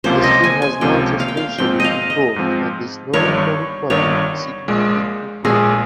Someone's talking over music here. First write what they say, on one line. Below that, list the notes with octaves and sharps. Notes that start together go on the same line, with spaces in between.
The school has now substantially improved and is no longer requiring significant improvement.
C#2 C3 F3 A#3 C#4 C5
D#5
G#5
G#5
C#2 C3 F3 A#3 C#4 G5
F5
G5
F5
G#2 F3 C4 G5
D#5 F5
D#5
G#2 F3 C4
G1 G2 D#3 C#5
G1 G2 D#3 C#5
A#1 A#2 G#3
A#1 A#2 G#3 G#4